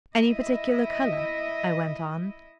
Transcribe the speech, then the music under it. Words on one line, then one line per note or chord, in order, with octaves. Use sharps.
"Any particular color?" I went on.
E4 D#5 E5